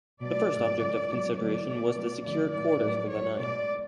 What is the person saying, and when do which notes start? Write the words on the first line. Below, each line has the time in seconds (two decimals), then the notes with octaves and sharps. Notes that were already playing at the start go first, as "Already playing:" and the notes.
The first object of consideration was to secure quarters for the night.
0.21 B2 F#3 A3 D5
0.50 G#2 F#3 A3
0.79 F#2 C#3 G#3
1.08 G#2 F#3 A3
1.37 F2 D3 F#3 A3 D5
1.65 B2 A3
1.95 B2 F#3 A3
2.24 F#2 D3 F3 A3 D5
2.52 A2 F3 G#3 D5
2.81 A2 F#3 A3
3.10 G#2 F#3 A3 C#5
3.39 B2 G#3 D5